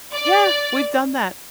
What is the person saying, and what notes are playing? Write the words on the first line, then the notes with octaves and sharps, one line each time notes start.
Yeah, we've done that.
D5